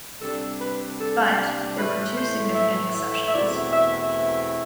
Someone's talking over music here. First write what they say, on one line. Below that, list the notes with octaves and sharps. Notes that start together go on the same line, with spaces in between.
But, there were two significant exceptions.
C3 G3 D4 A4
B4
A4
A2 E3 A3 B4
C5
E5
E5
E5
E2 B2 A3 C4 E4 D5
E5
E5
E5